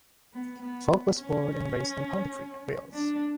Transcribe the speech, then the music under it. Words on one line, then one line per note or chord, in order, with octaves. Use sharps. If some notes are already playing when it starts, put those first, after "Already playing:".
Volk was born and raised in Pontypridd, Wales.
B3
B3
B3
C#4
D4